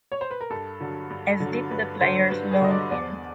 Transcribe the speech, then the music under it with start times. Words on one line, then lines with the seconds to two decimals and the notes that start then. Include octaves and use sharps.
As did the players loaned in.
0.12 C#5
0.21 C5
0.31 B4
0.41 A#4
0.50 G2 A4
0.81 D3 F#3
1.10 G2
1.40 D3 F#3
1.71 G2 B4
2.01 D3 F#3 C5
2.30 G2 B4
2.51 G#4
2.61 D3 F#3 D#5
2.71 D5
2.91 E2 D5